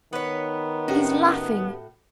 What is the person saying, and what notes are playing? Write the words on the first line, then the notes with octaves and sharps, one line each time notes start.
"He's laughing."
D#3 B3 B4 C#5
A2 C#4 F#4 G4